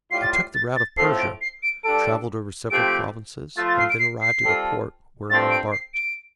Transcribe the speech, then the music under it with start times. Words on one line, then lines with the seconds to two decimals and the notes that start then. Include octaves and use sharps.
I took the route of Persia, travelled over several provinces, and then arrived at a port, where I embarked.
0.11 A2 G3 F4 C7
0.22 A6
0.33 C7
0.55 A6
0.76 A6
0.97 A2 F3 A3 C4 A4 C7
1.20 D7
1.41 C7
1.63 D7
1.84 G2 G3 D4 A4 D7
2.70 F3 A3 C4 G4 D7
3.57 F3 A3 F4 A6
3.68 A6
3.79 C7
3.90 D7
3.99 C7
4.22 C7
4.43 G3 C4 F4 A4
5.29 G2 F3 C4 A4 A6
5.50 D7
5.72 C7
5.94 D7